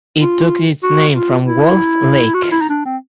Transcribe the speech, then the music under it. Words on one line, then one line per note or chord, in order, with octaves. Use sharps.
It took its name from Wolf Lake.
F4
F#4
F4
E4
F#4
F4
E4
D#4
D4
C4